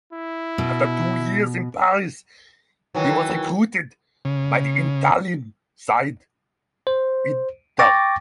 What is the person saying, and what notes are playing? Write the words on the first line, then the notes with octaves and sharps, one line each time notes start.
After two years in Paris he was recruited by the Italian side Inter.
E4
B2
D#3 E3 F#3
C#3
C5
G5 C#6 D6 A6 A#6